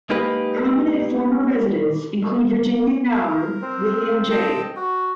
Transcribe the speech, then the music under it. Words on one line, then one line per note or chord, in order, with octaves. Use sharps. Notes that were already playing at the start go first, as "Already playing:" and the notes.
Prominent former residents include Virginia Knauer, William J.
G#3 A#3 D#4 G4 B4
A#4
C4
D#5 G5 A5
F#4